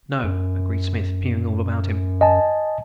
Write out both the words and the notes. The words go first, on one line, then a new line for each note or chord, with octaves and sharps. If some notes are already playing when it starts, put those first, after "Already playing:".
"No," agreed Smith, peering all about him.
F#2
D#5 G#5 A5